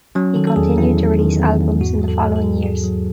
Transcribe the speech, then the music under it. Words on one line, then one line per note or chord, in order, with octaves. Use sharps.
He continued to release albums in the following years.
F#3 C#4
D#3 A4
A4
E2 G#4
E2 E4
F#3
D#3
E2
E2
G#2 F#4
F#3
A4
G#2
A4
F#3
G#2 G#4
F#3